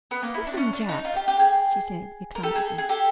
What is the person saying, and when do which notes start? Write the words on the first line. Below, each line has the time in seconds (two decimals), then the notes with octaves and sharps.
"Listen, Jack," she said excitedly.
0.11 B3
0.23 A#3
0.34 E4
0.47 D4
0.53 C4
0.57 C#4
0.73 D4
0.89 D#4
1.05 F4
1.16 G4
1.28 G4
1.39 G#4
2.35 A#4
2.43 G4 A4
2.56 G#4
2.78 G#4
2.89 G4 A4